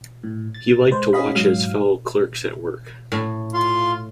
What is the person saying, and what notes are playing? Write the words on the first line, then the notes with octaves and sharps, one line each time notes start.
He liked to watch his fellow-clerks at work.
A2
A6
G#3 B4 C5
C#4 F#4 G#4 D#5 F5 B5
G#2 F#3 F5
A2
F4 F5 C6